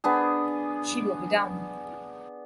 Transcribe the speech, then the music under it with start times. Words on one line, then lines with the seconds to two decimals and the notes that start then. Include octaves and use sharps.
She'll be down.
0.04 B3 D4 G#4